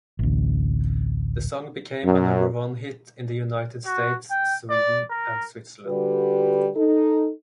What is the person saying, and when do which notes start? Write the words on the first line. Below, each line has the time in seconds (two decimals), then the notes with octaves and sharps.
The song became a number-one hit in the United States, Sweden and Switzerland.
0.19 A1 D2
2.05 F#2
3.86 F#4
4.30 G5
4.70 D5
5.10 A#4
5.87 D3 G3 F#4 G4 B4
6.76 D#4 A4